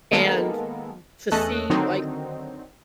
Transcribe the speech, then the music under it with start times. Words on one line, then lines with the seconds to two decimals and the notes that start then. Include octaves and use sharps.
and you to see, like,
0.12 D#3 G#3 A#3 B3 A4 A#4
1.32 E2 A3 C#4 A4 D#5 F#6
1.70 D3 D#3 F#3 C4 D#4